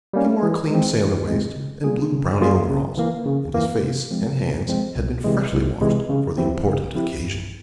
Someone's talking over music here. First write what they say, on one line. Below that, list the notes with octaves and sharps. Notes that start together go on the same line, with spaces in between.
He wore a clean sailor waist and blue brownie overalls, and his face and hands had been freshly washed for the important occasion.
G3 A#3 C#4
E3
G#3 C4
E3
G#3 C4
C#3
G3 A#3 F4 G#4
C#3
G3 A#3 F4 G#4
C#3
E3 A#3
C#3
E3 A#3
C3
F3 G#3 C4
C3
F3 G#3 C4
C2
C3 E3 G#3
C2
C3 E3 G#3
C#3
F3 C4 E4 G4
C#3
F3 C4 E4 G4
G2